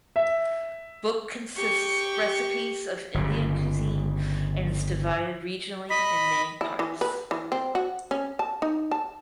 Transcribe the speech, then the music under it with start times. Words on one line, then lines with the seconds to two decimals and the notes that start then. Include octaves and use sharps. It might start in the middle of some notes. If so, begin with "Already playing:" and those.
Book consists recipes of Indian cuisine and is divided regionally in many parts.
0.16 E5
1.57 G4 C#6
3.14 G1 C#3
5.90 D#5 B5 B6
6.61 E4
6.79 E3
7.01 B4
7.31 E3
7.52 C4
7.75 F#4
8.11 C#4
8.39 A5
8.62 D#4
8.91 A5